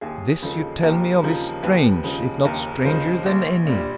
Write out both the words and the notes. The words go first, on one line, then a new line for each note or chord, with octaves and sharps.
This you tell me of is strange--if not stranger than any!
D#2 G#4
C#3 F3 G#3 A4
D#2 A#4
C#3 F3 G#3 A#4
D#2 B4
C#3 F3 G#3
D#2 A#4
C#3 F3 G#3 C5
A#1
A#2 G3